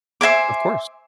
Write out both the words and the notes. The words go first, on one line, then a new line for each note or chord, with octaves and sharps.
Of course.
C5 E5 G#5 D6